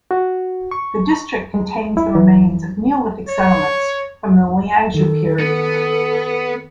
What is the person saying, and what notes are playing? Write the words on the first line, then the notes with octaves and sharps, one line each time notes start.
The district contains the remains of Neolithic settlements from the Liangzhu period.
F#4
C#6
G#3
E4
E3
C#5
D#3 A4
B3 A4